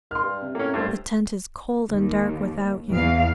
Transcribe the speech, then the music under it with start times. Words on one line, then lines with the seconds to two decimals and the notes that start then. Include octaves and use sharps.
The tent is cold and dark without you....
0.11 D#3 C6 F6
0.23 G2
0.42 C3
0.55 A2 A#3 C#4
0.74 C2 G2 A3 C5
1.90 D#2
2.90 E2 F5